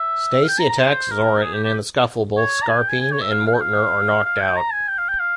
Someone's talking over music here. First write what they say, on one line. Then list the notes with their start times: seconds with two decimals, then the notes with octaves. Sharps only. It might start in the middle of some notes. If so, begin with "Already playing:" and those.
Stacey attacks Zorin and in the scuffle both Scarpine and Mortner are knocked out.
Already playing: E5
0.43 F5
0.48 G5
0.59 A#5
0.70 A#5
0.80 C5
1.11 A#4
1.43 G#4
1.53 G4
1.64 G4
2.37 C#5
2.63 A#5
2.68 G#5
2.79 G5
2.89 G#5
3.00 G#5
3.12 C#5
3.21 E5
3.31 F5
3.47 F5
3.54 G5
3.61 F5
4.25 F5
4.41 G5
4.57 A#5
4.72 G#5
4.88 G5
4.98 F5
5.09 G5
5.20 F5